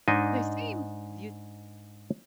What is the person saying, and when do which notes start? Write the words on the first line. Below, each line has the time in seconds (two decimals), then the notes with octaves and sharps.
They seem you
0.08 G#2 D4 D#4 D#5 G#5